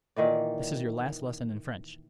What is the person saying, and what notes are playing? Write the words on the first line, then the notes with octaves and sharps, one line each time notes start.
This is your last lesson in French.
A#2 D#3 E3 D5